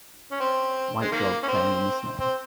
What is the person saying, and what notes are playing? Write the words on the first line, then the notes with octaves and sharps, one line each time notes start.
White dog playing in the snow.
C#4
C4
G#3
D#3 A#3
C#4
C4
C4